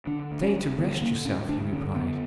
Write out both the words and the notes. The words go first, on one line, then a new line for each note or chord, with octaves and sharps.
'Stay to rest yourself,' he replied.
D3 D4
D2
C#4
D2
D3 B3
D3 A#3
D2 C#4
D2 D4
D3 C#4
D3 B3